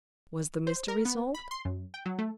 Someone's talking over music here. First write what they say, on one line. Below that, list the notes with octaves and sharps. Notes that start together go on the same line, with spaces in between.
Was the mystery solved?
C5
A#4
B3
B5
C6
F#2
G5
F#3
A3